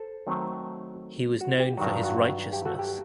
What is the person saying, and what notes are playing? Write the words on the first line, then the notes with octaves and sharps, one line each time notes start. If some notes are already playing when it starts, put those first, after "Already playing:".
He was known for his righteousness.
Already playing: A4 C5
D#3 F#3 A3 C4
F#4
G4
G2 D#3 F#3 F#4
F#4
G4
F#4 A4
G4